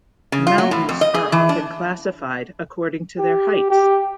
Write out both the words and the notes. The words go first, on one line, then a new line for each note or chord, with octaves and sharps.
Mountains are often classified according to their heights.
C#3
F4
F#3
A2
F2
D#5
G#4
E3
D4
G4
G4